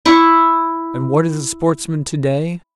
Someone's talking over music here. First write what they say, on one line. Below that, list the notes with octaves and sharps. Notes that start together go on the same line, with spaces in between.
And what is a sportsman to-day?
E4 C#6